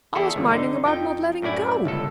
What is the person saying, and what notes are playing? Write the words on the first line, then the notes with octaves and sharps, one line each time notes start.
"I was minding about not letting go."
E2 E4 G#4 A4 A#5
G1 E2
D3 D#4
F2 D#4 G5
F#2 A2 E4 D5 G#5
G1 C#2 A4